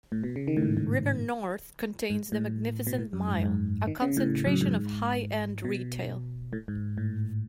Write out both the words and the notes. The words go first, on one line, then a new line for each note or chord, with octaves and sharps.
River North contains the Magnificent Mile, a concentration of high-end retail.
A2
B2
C#3
D#3
A2
G#2
A2
G#2
A2
B2
A2
F#2
G#2
G#2
D#3
C#3
A2
F#2
G#2
B2
A2
G#2
A2